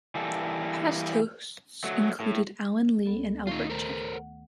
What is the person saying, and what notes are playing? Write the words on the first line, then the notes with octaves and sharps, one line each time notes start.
Past hosts included Allen Lee and Albert Cheng.
E3 G3 A#3 A4
F#3 A3
A2
D2 B3 A4
D#3 A3 D#4 F4 C#6
A4 A#4 C5
F#5